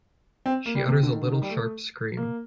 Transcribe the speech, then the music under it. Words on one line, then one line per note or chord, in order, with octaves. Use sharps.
She utters a little sharp scream.
C4
A#3
G3
C3
D3
D#3
D3
D#3
G3
A3
A#3